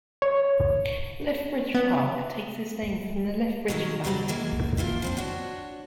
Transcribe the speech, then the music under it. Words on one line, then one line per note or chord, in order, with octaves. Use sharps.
Lethbridge Park takes its name from the Lethbridge family.
C#5
B3
G2 B2 D#3 F3 F#3
D2 F#3 G3 F#4 D5 A#5
B2 E3 G#3 A#3
F2 E3 A#3 F4
F3 C4 D4
D4 F#4 C#5